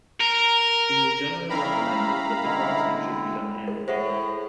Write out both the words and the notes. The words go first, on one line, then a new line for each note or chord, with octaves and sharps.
It is generally recommended that defrosting should be done annually.
A#4
G3 C#4 E4 F5 A#5 B5
D3 E3 G3 G#3 E4
G#4 A#4
A2 G#4 C5 E5 F#5